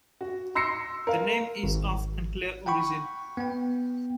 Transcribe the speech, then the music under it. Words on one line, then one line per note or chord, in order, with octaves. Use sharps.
The name is of unclear origin.
F#4
C6 E6 A#6 C7 C#7
A#4 F5
G#1
F#5 G5 B5 C#6
B3 G5